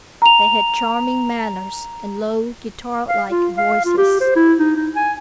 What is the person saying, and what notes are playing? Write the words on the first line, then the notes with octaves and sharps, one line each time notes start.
They had charming manners, and low, guitar-like voices.
A#5 F7
F5
F4
F5
F4
G4
C5
E4
D#4
D#4
G#5